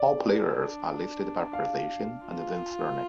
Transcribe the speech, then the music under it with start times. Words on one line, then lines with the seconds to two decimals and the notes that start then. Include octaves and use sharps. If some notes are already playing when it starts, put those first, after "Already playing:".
All players are listed by position and then surname.
Already playing: D5
0.08 D4
1.53 F5
2.26 F4